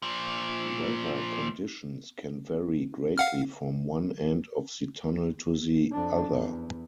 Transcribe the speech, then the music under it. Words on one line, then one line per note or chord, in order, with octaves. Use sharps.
Weather conditions can vary greatly from one end of the tunnel to the other.
A#2 F3
F5 F#5 F6
F2 D4
E2